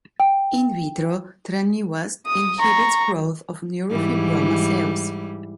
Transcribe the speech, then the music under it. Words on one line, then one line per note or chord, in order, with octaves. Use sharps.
In vitro, tranilast, inhibits growth of neurofibroma cells.
G5
D#6
A#5 C#6
G#2 E3 G3